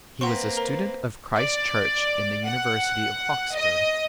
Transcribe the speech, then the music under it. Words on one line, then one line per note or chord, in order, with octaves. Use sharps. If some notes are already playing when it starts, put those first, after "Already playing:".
He was a student of Christ Church in the University of Oxford.
A#3 C4 B4 F#5 C6 C#6
A#4 A#5
D5
F#5
D#5